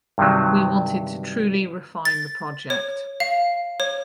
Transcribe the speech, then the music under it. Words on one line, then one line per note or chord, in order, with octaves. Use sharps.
We wanted to truly refine the project.
G2 C3 D#3 F#3
A6
C#5
F5
C#5